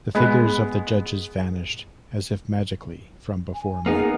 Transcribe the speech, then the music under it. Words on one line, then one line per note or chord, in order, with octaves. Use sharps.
The figures of the judges vanished, as if magically, from before me.
G#3 B3
G#5
A#3 B3 D#4 G#4